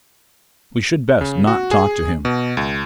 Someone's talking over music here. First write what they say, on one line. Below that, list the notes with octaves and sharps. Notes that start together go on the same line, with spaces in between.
"We should best not talk to him."
C#3
F#4
G#4
B2
C#2